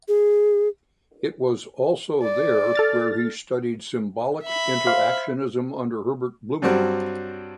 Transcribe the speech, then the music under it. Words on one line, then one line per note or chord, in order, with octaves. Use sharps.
It was also there where he studied symbolic interactionism under Herbert Blumer.
G#4
D5
A4 F6 A6
E5 B5
C5 F5
G2 F#3 G3 C4 F#4